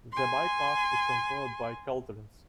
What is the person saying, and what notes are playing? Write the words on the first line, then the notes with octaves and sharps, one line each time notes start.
The bike path is controlled by Caltrans.
G#5 C6